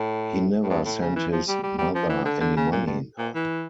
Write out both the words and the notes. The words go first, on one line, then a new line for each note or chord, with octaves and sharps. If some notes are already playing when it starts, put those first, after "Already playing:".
He never sent his mother any money now.
Already playing: A2
A2
G2
A2
C#3
E3
F3
G3
G3
G3
F3
E3
D3
D3
C#3
A#2
G2
A#2
E3